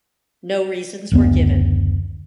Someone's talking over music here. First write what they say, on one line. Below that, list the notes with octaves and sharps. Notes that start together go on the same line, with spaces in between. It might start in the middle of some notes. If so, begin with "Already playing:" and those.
No reasons were given.
F#1 D2 B3